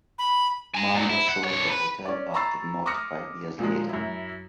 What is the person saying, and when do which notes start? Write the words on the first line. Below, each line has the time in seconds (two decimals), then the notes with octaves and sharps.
Manger sold the hotel back to Knott five years later.
0.18 B5
0.75 G#5 A#5
0.95 A#2 F#3
1.10 E4
1.29 F#5
1.44 F2 C#5
1.70 B4
2.05 C#4 D5
2.34 A#5 B5 C#6 E6 A6 C7
2.86 D6 D#6 F6 A#6 C#7
3.59 A#2 F3 F#3 G#3
3.89 F#2 E4